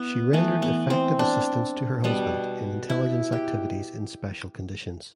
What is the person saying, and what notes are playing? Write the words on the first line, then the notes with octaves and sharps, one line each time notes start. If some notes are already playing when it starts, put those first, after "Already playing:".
She rendered effective assistance to her husband in intelligence activities in special conditions.
Already playing: B3 E4
E3 A3 B3
B3
C4
D4
B2 G3 B3
E4
G4